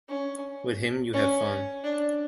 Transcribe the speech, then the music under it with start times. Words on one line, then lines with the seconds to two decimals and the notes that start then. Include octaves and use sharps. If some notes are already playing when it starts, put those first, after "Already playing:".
With him, you have fun.
0.09 C#4
1.13 C#4
1.84 D4